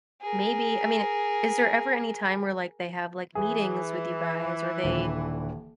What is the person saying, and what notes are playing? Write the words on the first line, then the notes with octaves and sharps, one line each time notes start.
maybe I mean, is there ever any time where, like, they have, like, meetings with you guys or they,
G#4 A#4
E3 G#4
D#1 D3